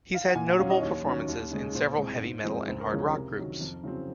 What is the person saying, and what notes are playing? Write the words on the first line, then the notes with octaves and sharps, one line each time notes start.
He's had notable performances in several heavy metal and hard rock groups.
F5
F#5
A#2 G#5
F#5
F#3 C#4 F5
D#5
D#2 C#5
D#3 F#3 C#4
D#2
C#3 G#3
A#2 C5
G#3 C4
G#2
F3 G#3 C4
C#2 C5
A#4
C#3 F3 G#3 C#4 G#4
A#4
C3
D#3 F#3 C#4
F2
C#3 F#3 C4